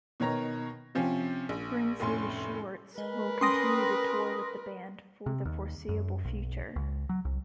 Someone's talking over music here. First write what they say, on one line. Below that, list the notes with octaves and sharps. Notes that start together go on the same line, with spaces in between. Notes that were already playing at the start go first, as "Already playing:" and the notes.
Brinsley Schwarz will continue to tour with the band for the foreseeable future.
B2 D#3 C#5 A#5 A#6
C3 F3 C4 C#4
A#1
F1 A2 C#4 C6
G#3 A#4 B4
C#4 G5 C6 D#6 A#6
C3
D#2
F#2
B1
C#2
F#3
C2